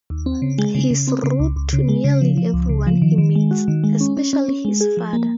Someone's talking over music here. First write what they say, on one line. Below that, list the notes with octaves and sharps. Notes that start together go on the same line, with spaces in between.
He's rude to nearly everyone he meets, especially his father.
D#2
C4
C#3
G#3
C#3
C#3
C4
C#3
C#2
C#2
C#3
G#3
C#3
F3
F3
C#2
C#3
F3
D#3
D#3
G#3
F#4
D#3
G#3
C#4
C#4
C#4
C#4
G#3
G#4
F3
A#3